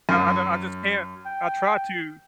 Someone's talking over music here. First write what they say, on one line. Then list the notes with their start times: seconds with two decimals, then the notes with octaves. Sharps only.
I I I just can't I try to
0.09 F#2
1.25 G5